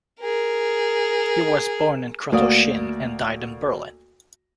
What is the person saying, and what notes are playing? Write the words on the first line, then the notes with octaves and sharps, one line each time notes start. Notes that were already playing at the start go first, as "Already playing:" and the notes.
He was born in Krotoschin and died in Berlin.
G#4 A#4
D2 A#3 F#4 D5 F5 D#6